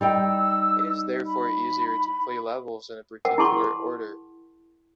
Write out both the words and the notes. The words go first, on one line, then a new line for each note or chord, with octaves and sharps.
It is therefore easier to play levels in a particular order.
G3 D#4 G5 E6
B5
A#4 F#5 G5
E4 G#4 A5 C6 C#6